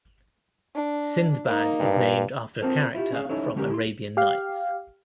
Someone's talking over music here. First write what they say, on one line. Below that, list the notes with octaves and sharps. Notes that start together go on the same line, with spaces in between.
Sindbad is named after a character from Arabian Nights.
D4
A#3 D#4
G2
C4 F4 A4 A#4 C5
E4 F4 G4
C#4 D4 G#4 C#5 D#5 F5
C#4 D#4 E4 A4 C#5
D3 G#3 C#4 G4 A4 A#4
E4 C6
G4 F5